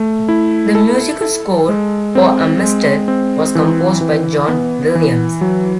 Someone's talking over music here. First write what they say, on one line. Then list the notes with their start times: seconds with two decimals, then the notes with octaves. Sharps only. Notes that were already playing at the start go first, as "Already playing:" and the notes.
The musical score for "Amistad" was composed by John Williams.
Already playing: A3
0.29 E4
0.75 A4
1.21 A4
1.69 G#3
2.15 C4
2.61 G#3
3.08 C4
3.55 E3
4.01 E3
4.48 B3
4.95 E3
5.41 F#3